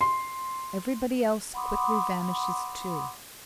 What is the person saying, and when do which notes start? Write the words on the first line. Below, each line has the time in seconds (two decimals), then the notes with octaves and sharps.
Everybody else quickly vanishes too.
0.01 C6
1.54 F#5 B5 C6 D6 D#6